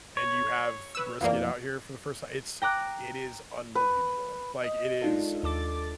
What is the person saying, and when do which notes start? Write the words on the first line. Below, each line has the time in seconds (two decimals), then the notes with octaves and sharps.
and you have brisket out here for the first time, it's it is unbelievable. Like, it is, uh
0.17 C#5
0.95 B4 E6
1.21 F2 E3 A#3 D5 F5
2.62 G5 A#5 D6 F#6
3.75 B4
4.64 D#5
5.02 G#3 D4 D#4 F4 A4
5.43 D#2 A4 D6 A6